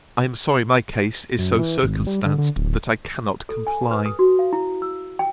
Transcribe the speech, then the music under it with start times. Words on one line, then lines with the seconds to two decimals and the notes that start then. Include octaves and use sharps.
I am sorry my case is so circumstanced, that I cannot comply.
1.38 F#2
1.59 E3
1.83 G#1
2.07 G3
2.25 D3
2.38 D3
2.56 D1
3.49 A4
3.67 G#5
3.91 B4
4.06 D#6
4.19 F#4
4.39 F5
4.53 E4
4.82 E6
5.19 G5